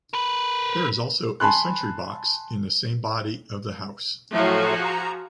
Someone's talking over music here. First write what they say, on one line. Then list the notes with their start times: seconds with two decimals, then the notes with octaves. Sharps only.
There is also a sentry box in the same body of the house.
0.13 A#4 B4
1.40 G#5 A5 B5 C6 F#6
4.33 A2 F3 F#3 A3 F#4 G#4
4.85 A#5